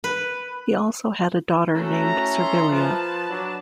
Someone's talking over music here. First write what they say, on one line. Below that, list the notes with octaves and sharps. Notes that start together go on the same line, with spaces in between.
He also had a daughter named Servilia.
B4
A3 C#4 E4 F#4 A4 A#5
C6
F3 B4 A5
F#3 D4